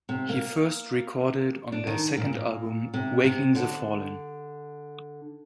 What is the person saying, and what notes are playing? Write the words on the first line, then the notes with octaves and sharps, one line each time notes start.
He first recorded on their second album "Waking the Fallen".
C3
A#3
D4
D#3
A#2
A#2
C3
C3
D3